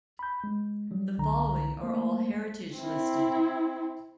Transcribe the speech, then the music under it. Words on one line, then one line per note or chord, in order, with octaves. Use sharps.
The following are all heritage-listed.
B5 G6
G#3
F#3 G3
C2 D3 A#5
A3 A#3 C5
C4 E4